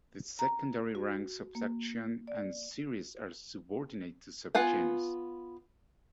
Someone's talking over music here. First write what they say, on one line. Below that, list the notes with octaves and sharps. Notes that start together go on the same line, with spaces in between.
The secondary ranks of section and series are subordinate to subgenus.
A#5
F#4
A#3
D5
B3 F4 F#5 G#5